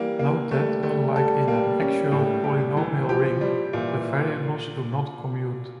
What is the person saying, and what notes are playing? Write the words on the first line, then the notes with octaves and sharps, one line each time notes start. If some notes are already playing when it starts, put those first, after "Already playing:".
Note that unlike in an actual polynomial ring, the variables do not commute.
Already playing: E3 G3 A#3
A#3
G3 A3
A3
A4
A#3
C#4
A2
G4
E3
F3 G4
G3
A#2 E3